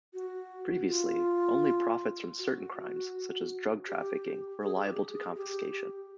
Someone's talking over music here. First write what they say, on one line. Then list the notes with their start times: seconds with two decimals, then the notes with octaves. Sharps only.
Previously, only profits from certain crimes, such as drug trafficking, were liable to confiscation.
0.14 F#4
0.88 F4
2.39 F#4
3.88 G4
4.61 G#4
4.76 G#4
4.86 G4
5.11 G#4
5.36 G4